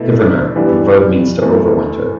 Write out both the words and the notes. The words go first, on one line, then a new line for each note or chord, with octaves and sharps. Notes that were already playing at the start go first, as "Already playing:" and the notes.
"Hiverner" the verb means to overwinter.
Already playing: B2 A3 E4
G2 E3 G3 B3 D4
E2 E3 A3